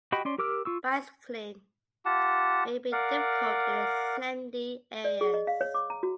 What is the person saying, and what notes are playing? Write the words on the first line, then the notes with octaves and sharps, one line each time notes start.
Bicycling may be difficult in the sandy areas.
F#4 G4 D#5 G5 B5
C#4 D5 C6
G4 A#4 D6 E6 F6
F4 C#6 E6
F4 G4 F#5 A5
A#4 D5 F5 F#5
D5
G#4
D#5
F5
C#5
D6
A#5
F#4